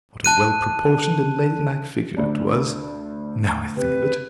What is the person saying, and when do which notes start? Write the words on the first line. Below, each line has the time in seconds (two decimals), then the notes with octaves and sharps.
What a well-proportioned and ladylike figure it was, now I think of it!
0.24 A5 F#6 D#7
2.17 D2 D4
3.77 C3 B4